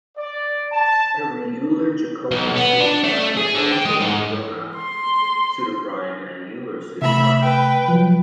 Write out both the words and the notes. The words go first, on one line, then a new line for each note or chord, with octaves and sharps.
Every Euler-Jacobi pseudoprime is also a Fermat pseudoprime and an Euler pseudoprime.
D5
A5
B1
B3
D4
A3
G#4
D3
G5
G#3
G#2
C6
C3 A3 E5 B5
B4 G5
F3 F#3